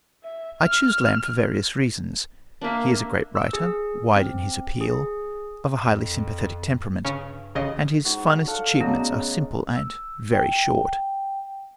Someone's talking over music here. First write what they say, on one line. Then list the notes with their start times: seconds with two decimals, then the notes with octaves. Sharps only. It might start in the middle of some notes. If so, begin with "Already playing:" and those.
I choose Lamb for various reasons: He is a great writer, wide in his appeal, of a highly sympathetic temperament; and his finest achievements are simple and very short.
0.24 E5
0.60 F6
2.61 A#3 D4 E5
3.35 E6
3.53 G#4
4.16 C4
4.81 G#4
5.84 F2
7.05 G2 C#3 C#4
7.55 A1 C#3 D#5
8.05 G#2 F#4
8.47 D4 A4 F5 F#5
8.80 C#3 F#3 A3 B3 F#4 D5 D#5
9.75 E6
10.33 G5